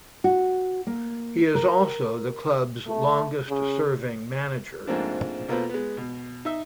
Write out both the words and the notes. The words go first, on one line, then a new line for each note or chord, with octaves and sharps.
He is also the club's longest serving manager.
F#4
A#3
A#4
A3
C#3
G#2 F3 A3 A#3 C4 D4
B2 A#3 F4 A4 B4 C5
G#3 B3
B2
D#4 E5